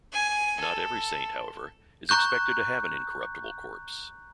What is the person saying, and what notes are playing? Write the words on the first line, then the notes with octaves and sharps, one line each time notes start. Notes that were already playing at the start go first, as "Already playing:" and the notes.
Not every saint, however, is expected to have an incorruptible corpse.
G#5
A4
A#5 C#6 F#6 G6